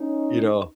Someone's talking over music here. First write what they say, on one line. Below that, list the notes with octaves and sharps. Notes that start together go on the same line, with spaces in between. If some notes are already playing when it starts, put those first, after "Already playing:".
you know.
Already playing: C#4 D#4